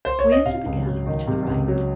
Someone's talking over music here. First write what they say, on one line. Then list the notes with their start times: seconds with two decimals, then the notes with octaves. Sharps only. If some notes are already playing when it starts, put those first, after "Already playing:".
We entered the gallery to the right.
0.05 C5
0.19 C#5
0.32 D#5
0.45 C3 F5
0.66 C#2
0.86 F#3
1.07 D#3
1.27 C3
1.48 C#2
1.68 F#3